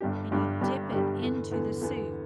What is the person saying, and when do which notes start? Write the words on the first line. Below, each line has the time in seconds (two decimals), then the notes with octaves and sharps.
and you dip it into the soup
0.01 G1 G2 G3 D4 G4
0.31 G1 G2 G3 D4 G4
0.61 G1 G2 G3 D4 G4
0.91 G1 G2 G3 D4 G4
1.21 E2 D3 B3
1.51 E2 D3 B3
1.81 E2 D3 B3